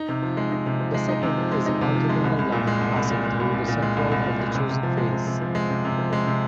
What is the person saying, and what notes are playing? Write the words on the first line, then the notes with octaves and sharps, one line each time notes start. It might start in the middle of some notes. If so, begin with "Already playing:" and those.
The second is an orthogonal line passing through the centroid of the chosen face.
Already playing: D#4
C3
F3
G#3
D#4
C3
F3
G#3
D#4
C3
F3
G#3
D#4
C3
F3
G#3
C2
C2
A#2
G#3
C2
C2
A#2
G#3
C2
C2
A#2
G#3
C2
C2
A#2
G#3
C3
C3
F3
G#3
C3
C3
F3
G#3
C3
C3
F3
G#3
C3